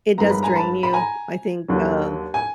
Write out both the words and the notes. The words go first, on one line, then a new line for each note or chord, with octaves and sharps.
It does drain you, I think, um,
G1 G2 D#3 G#3 B3 A#5
B5
G#5 A#5
A5 B5
B5
G#5 A#5
D#2 D3 F#3
G#5